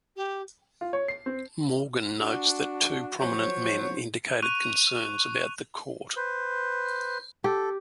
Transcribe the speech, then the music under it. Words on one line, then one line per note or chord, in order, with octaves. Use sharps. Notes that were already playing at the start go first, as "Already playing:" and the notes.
Morgan notes that two prominent men indicated concerns about the Court.
G4
F4
C#5
C7
C4
D4 F#4
F3 F#3 C5 C#5
C#6 F#6 D#7 F7
B4 C5
G4 A4